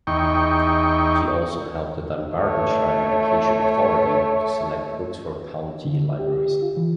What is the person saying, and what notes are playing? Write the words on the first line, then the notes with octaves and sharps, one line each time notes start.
She also helped the Dunbartonshire Education Authority to select books for county libraries.
E2 D#4 G5 C#6
A3 C#5
D3
G4
F4
E3